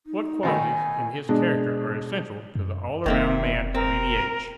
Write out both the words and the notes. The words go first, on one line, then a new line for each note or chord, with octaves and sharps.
What qualities in his character are essential to the all-around man of any age?
D#4
B2 D#3 A3 G#5
B2 G#3 D4
F#2
F1 D#3 A#3 C4 E5
C4 A#4